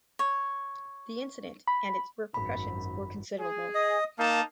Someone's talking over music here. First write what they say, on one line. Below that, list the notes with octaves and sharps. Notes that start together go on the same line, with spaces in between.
The incident and its repercussions were considerable.
C#5
B5
G#1 F#2 B5
G#4
D#5
A#3 D#4 A5